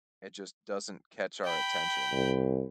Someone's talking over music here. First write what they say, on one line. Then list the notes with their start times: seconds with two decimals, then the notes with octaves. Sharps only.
it just doesn't catch our attention,
1.44 G5 B5
2.13 C2